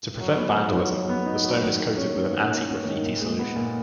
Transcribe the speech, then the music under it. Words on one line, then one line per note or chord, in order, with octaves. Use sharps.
To prevent vandalism, the stone is coated with an anti-graffiti solution.
F#3
B3
D#4
F#3
F#3
B3
D#4
F#3
D#3
A#3
C#4
D#3
D#3
A#3
C#4
D#3
A#2
G#3
B3
A#2